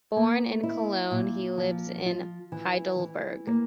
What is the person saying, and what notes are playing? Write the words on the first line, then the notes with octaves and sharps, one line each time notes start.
Born in Cologne, he lives in Heidelberg.
A#3
E4
A#2
F3
F4
E3
E3
A#3